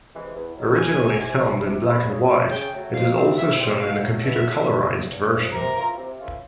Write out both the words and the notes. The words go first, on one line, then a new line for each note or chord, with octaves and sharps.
Originally filmed in black-and-white, it is also shown in a computer-colorized version.
C3 E3 G#3
E2
C3 D#3 F#3
E2 G#5
C3 D#3 F#3
C3
E3 G3 C4 E4
C3
E3 G3 C4 E4
C#3
F#3 A3
C#3 G5
F#3 A3
F2 F5
C3 E3 G3 C4
F2 E5
C3 E3 G3 C4
B2 F5
F#3 A3
B2 E5
F#3 A3
E2
C#3 F3 A3 C4
E2
C#3 F3 A3 C4
C3 A#4
E3 A3 C#4 F4
C3
E3 A3 C#4 F4